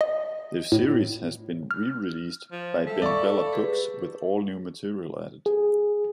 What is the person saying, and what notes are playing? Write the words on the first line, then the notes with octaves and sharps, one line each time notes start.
The series has been re-released by BenBella Books, with all-new material added.
D#5
A2
F6
F3
G3 G#3 A4 E5
D5 F5 B5 C#6
G4 G#4 B4
G#4